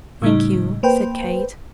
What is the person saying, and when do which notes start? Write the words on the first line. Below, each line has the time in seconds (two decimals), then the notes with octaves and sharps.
"Thank you," said Kate.
0.22 A2 C#3 G3 D#4
0.83 A#3 B4 C5 G5